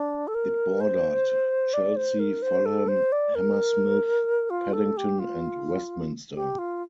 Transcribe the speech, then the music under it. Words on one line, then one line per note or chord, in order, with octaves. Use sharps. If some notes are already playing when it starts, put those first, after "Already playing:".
It bordered Chelsea, Fulham, Hammersmith, Paddington, and Westminster.
Already playing: D4
A4
A#4
C5
D5
C5
A#4
C5
A4
C5
D5
A#4
F4
A4
G4
F4
G4
F4